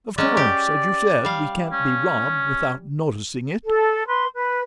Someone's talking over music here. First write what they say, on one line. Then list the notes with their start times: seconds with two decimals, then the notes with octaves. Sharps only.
"Of course, as you said, we can't be robbed without noticing it."
0.18 F#3 G#3 C#4 D5
0.37 G4
1.25 G3 F5
1.72 C#4
3.64 A4
4.07 B4 C6
4.34 B4